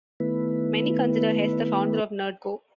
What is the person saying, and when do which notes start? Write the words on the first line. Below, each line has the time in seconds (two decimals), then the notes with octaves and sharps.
Many consider Hess the founder of Nerdcore.
0.20 D#3 A3 B3 E4 B4